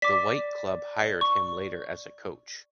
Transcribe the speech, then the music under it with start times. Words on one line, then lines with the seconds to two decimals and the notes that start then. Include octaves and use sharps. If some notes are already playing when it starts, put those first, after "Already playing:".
The white club hired him later as a coach.
0.02 D5 D6 B6
1.21 C#6